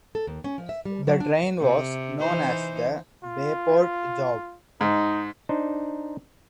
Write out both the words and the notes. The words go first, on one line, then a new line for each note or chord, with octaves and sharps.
The train was known as the "Bayport Job".
A4
D#2
C#4
F3
E5
G3
F#3
D4
C3
E3 D#4 C5
F4
G#2 D#4
D4 D#4 C5